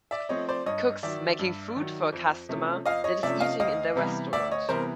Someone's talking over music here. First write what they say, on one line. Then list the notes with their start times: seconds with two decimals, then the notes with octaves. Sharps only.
Cooks making food for a customer that is eating in their restaurant.
0.11 D5 E5
0.29 F3 A3 C4 C#5 D#5
0.49 C5 D5
0.66 G2 C#5 D#5
1.03 D#3 F#3 D5 E5
1.39 G2
1.76 D#3 F#3
2.12 F2
2.49 C3 F3 A3 C#4
2.86 F2 D#5 F5
3.04 C#5 D#5
3.23 C3 F3 A3 C#4 D5 E5
3.40 D#5 F5
3.59 D2 D#5 F5
3.95 C3 E3 G3 B3
4.33 D2 D5 E5
4.51 C#5 D#5
4.69 C3 E3 G3 B3 A#4 C5